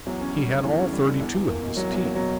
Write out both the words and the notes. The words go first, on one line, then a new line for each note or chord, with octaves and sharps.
He had all thirty-two of his teeth.
E2 F#3
C#4
F#3 G3
D3
E2 E3
C#4
G3
D3
E2
E2
A#3
B2
E2 F#3
E2 F#3
A#3
B2 F#3